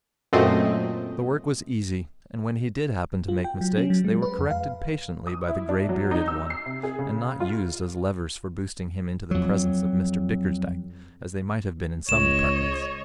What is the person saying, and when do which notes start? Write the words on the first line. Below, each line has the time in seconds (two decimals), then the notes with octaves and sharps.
The work was easy; and when he did happen to make mistakes, they were corrected patiently by the grey-bearded one, and not used as levers for boosting him into the presence of Mr Bickersdyke, as they might have been in some departments.
0.33 F#2 A#2 A3 C4 D#5
3.28 F4
3.44 G5
3.61 F#3
3.78 C#4
3.90 F#3
4.04 G#3
4.22 B4
4.39 F2
4.51 F5
5.27 D#6
5.48 E4
5.69 D4
5.89 F#3
6.11 D#4
6.28 E6
6.50 C7
6.65 C3
6.83 G#4
6.98 C#3
7.40 F4
9.31 F2 F#3
12.09 C#2 C#5 D#5 E7